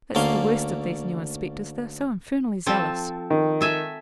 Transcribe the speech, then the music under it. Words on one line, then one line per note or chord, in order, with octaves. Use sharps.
That's the worst of these new inspectors, they are so infernally zealous.'
D2 D3 A#3 C#4 F5 C6
F3 C4 A4
D#3
A4 E5 G#5